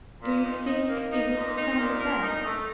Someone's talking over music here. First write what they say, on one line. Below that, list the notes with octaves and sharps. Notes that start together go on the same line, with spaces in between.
"Do you think he would stand the test?"
A#2
D#4
D#4
A#3
D#4
A#2
D#4
A#2
A#4
D#4
A3